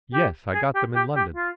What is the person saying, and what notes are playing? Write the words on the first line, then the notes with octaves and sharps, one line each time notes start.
"Yes, I got them in London."
G4
G#4
G4
G4
G4
F4